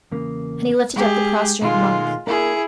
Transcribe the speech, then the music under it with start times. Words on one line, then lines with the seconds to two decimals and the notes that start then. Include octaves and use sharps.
And he lifted up the prostrate monk.
0.12 E2 C#3 A#3
0.96 G#3 G4 G#4
1.62 B2 D#3 G#3 A3 F4
2.27 A#3 D4 E4 G#4 A#4